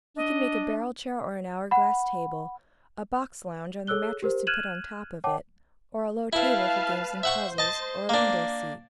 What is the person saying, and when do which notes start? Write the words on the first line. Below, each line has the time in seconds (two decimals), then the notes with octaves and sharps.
He could make a barrel-chair or an hour-glass table, a box lounge and the mattress to put on top of it, or a low table for games and puzzles, or a window seat.
0.17 D4 D#5
1.71 F#5 B5
3.87 G#4 A4 C#5 E6 F#6 G7
4.22 G4 A#4 C5
4.47 F6 F#6 G#6 D#7 E7 F#7
5.24 C#5 F#5 G5 A5 D6
6.33 E4 B4 F5 A5
7.23 C5 E5 F#5 C#6
7.58 D#5 A5
8.09 A#3 D4